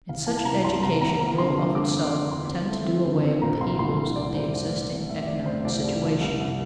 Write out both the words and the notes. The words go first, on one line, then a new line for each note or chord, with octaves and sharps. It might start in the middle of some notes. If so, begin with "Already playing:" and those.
And such an education will of itself tend to do away with the evils of the existing economic situation.
C2 F5
E3 A5
A5
C3 A#5
C2 C6
C2 A#5
C3 A#5
A#3 A#5
D3 C6
F3
D3 D6
D3
D3
E2 C6
C4
A3
C4
D3
C4
A#2 A#5
C2 C6
A#2 C6
C2 C6
C2 D5
C2 C5
F1 D5
F1
D5
C3
F1 E5
F1 D5
F1 C5
C2 D5
C2
F3
C2
C2